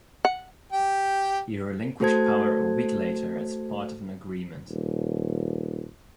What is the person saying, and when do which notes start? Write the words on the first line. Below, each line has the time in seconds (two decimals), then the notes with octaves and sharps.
He relinquished power a week later as part of an agreement.
0.25 F#5
0.73 G4 G5
2.00 A3 F#4 A4 C5 A5 G#6
4.69 D#1